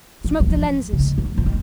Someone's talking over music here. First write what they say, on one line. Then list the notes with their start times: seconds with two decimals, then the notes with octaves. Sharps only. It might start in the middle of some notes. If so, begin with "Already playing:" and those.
Smoke the lenses.
0.25 F3
0.40 F#3
0.49 F3
0.93 C#3
0.99 D#3
1.18 F#3
1.37 F3
1.46 D#3